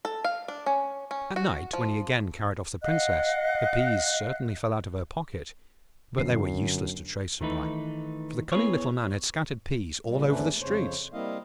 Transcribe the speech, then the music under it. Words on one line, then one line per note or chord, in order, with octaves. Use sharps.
At night, when he again carried off the Princess, the peas certainly fell out of her pocket, but they were useless to trace her by, for the cunning Little Man had scattered peas all over the streets.
A4
F5
D4
C#4
C#4
F#4
F3
D#5 F5 F#5 F#6
G1 F#2 C7
D#3 E3 A3 D#4 B4
B3 E4 G#4 B4 C#5
A#2 G3
E2 G#2 A3 C#4 D4 B4
F2 C#3 C5 C#5
G3 A#3 C4 E4 D#5 F5